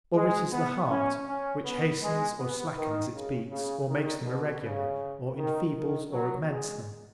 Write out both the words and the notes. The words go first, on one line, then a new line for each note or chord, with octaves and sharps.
Or it is the heart, which hastens or slackens its beats, or makes them irregular, or enfeebles, or augments them.
G#3
B3
C#4
C#4
B3
G#3
B3
D#3
C#3
C#3
D#3
B2
C#3
D#3
D#3
F#3
G#3